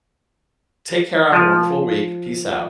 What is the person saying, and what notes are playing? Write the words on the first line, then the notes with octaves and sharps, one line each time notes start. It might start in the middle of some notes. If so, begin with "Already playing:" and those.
Take care, have a wonderful week, peace out.
F3